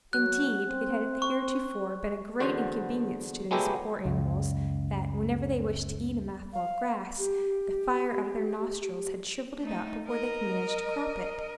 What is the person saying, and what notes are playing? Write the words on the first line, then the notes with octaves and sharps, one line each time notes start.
Indeed, it had heretofore been a great inconvenience to these poor animals, that, whenever they wished to eat a mouthful of grass, the fire out of their nostrils had shriveled it up, before they could manage to crop it.
B2 F#3 F#4 F#6
C4
C#6
E2 D3 F#4 C5
F#3 G#3 A3 B3 E4 G4
C#2 F#2 C#3
F5
G4
A3 D#4
A#4 D#5